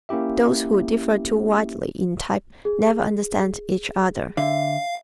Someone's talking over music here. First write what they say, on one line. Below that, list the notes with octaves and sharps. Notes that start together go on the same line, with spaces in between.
Those who differ too widely in type never understand each other.
A#3 C#4 E4 G4 E5
G#4
D3 E5 F5